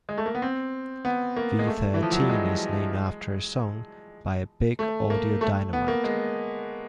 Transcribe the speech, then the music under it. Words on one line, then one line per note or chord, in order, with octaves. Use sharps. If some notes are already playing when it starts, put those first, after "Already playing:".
V Thirteen is named after a song by Big Audio Dynamite.
G#3
A3
A#3
B3
C4
B3
A#3
G#3
A3
E3
F3
F#3
G3
G#3
A3
A#3
A3
B3
A#3
G#3